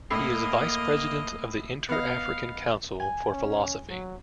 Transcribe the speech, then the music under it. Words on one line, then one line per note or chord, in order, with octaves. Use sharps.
He is Vice-President of the Inter-African Council for Philosophy.
A2 A#3 D#5
B3 D#5 F5
G#5
C#4
F#3